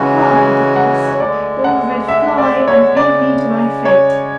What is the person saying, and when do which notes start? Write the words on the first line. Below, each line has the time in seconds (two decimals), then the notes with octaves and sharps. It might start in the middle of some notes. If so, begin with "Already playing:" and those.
Fly, dearest!--beloved, fly! and leave me to my fate!'
Already playing: C#3 E3 G#3 C#4 F#4 F#5
0.31 G#5
0.76 F#5
1.08 C#5
1.20 D2 D3 G#3 D5
1.64 F#5
2.08 E5
2.38 D5
2.68 C#5
2.97 C#3 G#3 C#4 D5
3.85 C#5